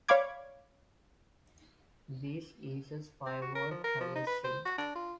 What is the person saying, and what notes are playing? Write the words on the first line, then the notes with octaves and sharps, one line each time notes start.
This eases firewall traversing.
C#5 D5 F5 B5 D6 G#6
C4
F#4
A#4
F3
A#4
F3
D#4
B4
C5
F#4
D4
F4